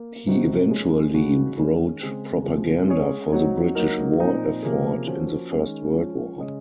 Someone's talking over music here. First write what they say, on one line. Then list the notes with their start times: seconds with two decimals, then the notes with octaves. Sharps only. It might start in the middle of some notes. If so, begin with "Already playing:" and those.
He eventually wrote propaganda for the British war effort in the First World War.
Already playing: A#3
0.27 C3 F3 C4 D#4 F#4
0.70 F3 G#3 C#4
1.13 C#3 G#3 D#4 F#4
1.57 D#3 G#3 C#4 G#4
2.00 C#3 G#3 C4
2.44 C3 F3 G#3
2.88 G#3 C#4 G#4 C#5
3.32 F#3 C4 D#4 F#4 C#5
3.75 F#3 A#3 D#4 A#4
4.20 A#2 F3 C4 D#4
4.62 C3 F3 A#3 C#4 G#4
5.07 F3 A#3 C#4 F#4 C5
5.51 D#3 G#3 C#4
5.94 F3 G#3 C#4 F4
6.38 C#3 G#3 C#4 G#4 D#5